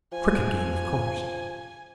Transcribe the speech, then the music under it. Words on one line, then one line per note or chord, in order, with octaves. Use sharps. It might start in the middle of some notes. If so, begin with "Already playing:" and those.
A crooked game, of course.
F3 G#5